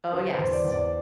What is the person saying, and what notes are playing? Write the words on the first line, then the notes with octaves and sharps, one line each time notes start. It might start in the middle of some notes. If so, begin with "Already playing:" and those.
Oh yes.
D3 B4
C5
E2
D5
E2
D5